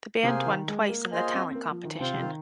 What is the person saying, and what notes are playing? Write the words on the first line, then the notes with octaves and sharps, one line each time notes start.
The band won twice in the talent competition.
C3 A#3 G#4 C5 F5 G#5
D#3
G#3
A#3
A#3 F4 G#4 C5 D#5 G#5
C4
C4
A#3
F3
D#3
C3 C4 F4 C5
C3
D#3